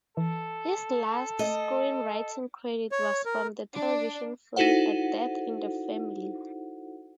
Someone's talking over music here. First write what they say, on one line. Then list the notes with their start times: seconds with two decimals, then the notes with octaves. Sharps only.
His last screenwriting credit was from the television film "A Death in the Family".
0.17 E3 A4
1.39 A3 D#5
2.92 C#5
3.25 A#4
3.75 D4
4.56 D#4 E4 F#4 A4 C5 F#5